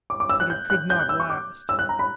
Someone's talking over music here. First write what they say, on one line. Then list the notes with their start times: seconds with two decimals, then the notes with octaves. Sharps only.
But it could not last.
0.10 D6
0.20 D6
0.29 E6
0.40 F#6
0.50 G6
0.70 F#6
0.90 G6
1.00 F#6
1.09 E6
1.20 C#6
1.30 D6
1.69 E6
1.79 F#6
1.89 A#5
1.99 B5